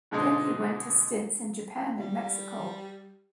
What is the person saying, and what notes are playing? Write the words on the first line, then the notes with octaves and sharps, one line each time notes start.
Then he went to stints in Japan and Mexico.
G#2 B2 D3 G#3 C4 D#4
G3